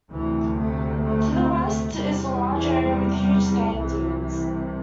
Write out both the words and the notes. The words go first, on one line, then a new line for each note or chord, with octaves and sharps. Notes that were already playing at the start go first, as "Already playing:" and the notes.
To the west is a large area with huge sand dunes.
D2 C3 E3
A3
A3
C4
A3
E2 C3 G3
G3
E3
G3
G3
G3
C2 C3 E3
E3